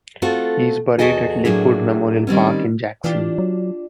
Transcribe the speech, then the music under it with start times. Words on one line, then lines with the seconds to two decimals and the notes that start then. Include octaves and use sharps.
He is buried at Lakewood Memorial Park in Jackson.
0.22 A3 C4 F4 F#4 A4
0.99 E2 F#4 G#4 A4 D#5 G#5
1.45 A2 F#3 A#3 D4 G#4
2.27 D#3 G3 C4 C#4
3.04 E3 D4 F4 G4
3.38 F#3